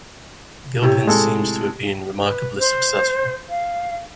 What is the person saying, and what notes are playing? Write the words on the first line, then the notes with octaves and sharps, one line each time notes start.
Gilpin seems to have been remarkably successful.
A2 C3 C#5
G#3 A4
B4
C5
F5